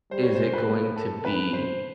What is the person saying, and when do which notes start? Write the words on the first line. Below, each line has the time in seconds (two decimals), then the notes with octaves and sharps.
is it going to be
0.11 G3 C5
0.23 C#5
0.35 G#3 C5
0.53 B4
0.68 A#3
0.96 A4
1.25 B4
1.53 C5